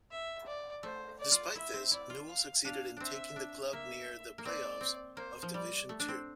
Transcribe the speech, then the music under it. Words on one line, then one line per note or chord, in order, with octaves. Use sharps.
Despite this, Newell succeeded in taking the club near the play-offs of Division Two.
E5
D5
A3 C5
D5
F4
E4 E5
C4
E4 D5
F4
F5
D4 F5
C4 D4 E5
D4
A#3 E5
A#3
C4 D5
C4
A#3 C5
F3
G3 D5
A3
D4
C4